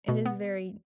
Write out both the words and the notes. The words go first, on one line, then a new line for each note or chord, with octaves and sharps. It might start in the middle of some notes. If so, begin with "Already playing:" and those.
It is very
B2
B3